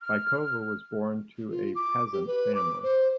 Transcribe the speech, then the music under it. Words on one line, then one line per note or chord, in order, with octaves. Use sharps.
Bykova was born to a peasant family.
F6
F4
D6
G4
B4
D6
C5